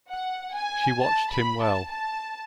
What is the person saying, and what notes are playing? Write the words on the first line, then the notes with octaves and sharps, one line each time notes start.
She watched him well.
F#5
G#5
A5
B5
A5
A5